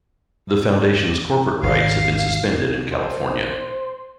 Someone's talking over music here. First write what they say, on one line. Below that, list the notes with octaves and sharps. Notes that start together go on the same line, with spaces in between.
The foundation's corporate rights have been suspended in California.
G#1 F5
C5